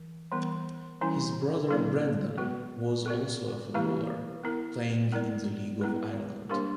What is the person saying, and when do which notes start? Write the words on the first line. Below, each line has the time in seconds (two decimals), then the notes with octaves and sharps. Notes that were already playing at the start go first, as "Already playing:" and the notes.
His brother Brendan was also a footballer, playing in the League of Ireland.
Already playing: E3
0.32 E3 G3 B3
1.01 E3 G3 C#4 E4
1.69 F#3 A#3 E4 A#4 D5
2.38 B3 F#4 B4
3.06 B3 F#4 A#4 D5
3.74 E3 A#3 E4 G4 B4
4.43 B3 E4 A#4
5.12 B3 E4 A#4 D5
5.81 B3 E4 B4
6.49 G3 A#3 D4 G4 A#4